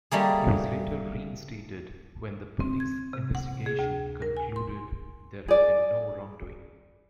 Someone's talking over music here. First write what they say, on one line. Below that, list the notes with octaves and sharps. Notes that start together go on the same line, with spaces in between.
He was later reinstated when the police investigation concluded there had been no wrongdoing.
G3 A3 A#3 G#4
C4
G#6
C3
F#5
G#4
D2
A#4
G#5
C6
G#4 D5